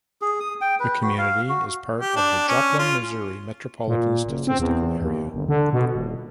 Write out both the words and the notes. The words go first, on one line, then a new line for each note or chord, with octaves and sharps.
The community is part of the Joplin, Missouri Metropolitan Statistical Area.
G#4
D#6
G5
B4
F#4
F5
F#4
G4
D4
C#4
F4
A#2
F#1
C4
E2
D#2
G1
D3
B2
D#1